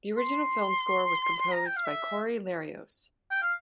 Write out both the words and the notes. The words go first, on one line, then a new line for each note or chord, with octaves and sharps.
The original film score was composed by Cory Lerios.
C6
A#5
G5
F5
E5
G5
F5